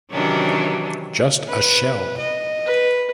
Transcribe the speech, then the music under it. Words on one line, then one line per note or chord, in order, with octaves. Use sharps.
Just a shell.
C3 D#3 E3 F#3 C#4 D4
B4
D#5
B4